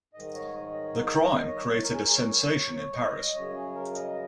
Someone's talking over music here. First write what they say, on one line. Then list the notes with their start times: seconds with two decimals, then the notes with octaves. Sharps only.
The crime created a sensation in Paris.
0.13 G#2 D#3 D#5
0.34 C#5
0.53 D#5
0.74 C#5
0.94 A#4
1.20 D#5
1.47 C#5
1.74 C#5
1.83 A#4
1.93 G#4
2.01 A#4
2.14 C#5
2.55 C#5
2.75 C#5
2.94 D#5
3.15 D#5
3.34 F#2 C#3 C#5
3.55 G#4
3.75 A#4
3.95 D#5